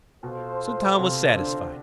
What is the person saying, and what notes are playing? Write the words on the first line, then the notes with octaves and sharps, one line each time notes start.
So Tom was satisfied.
B2 F4 A4 C5
C3
D3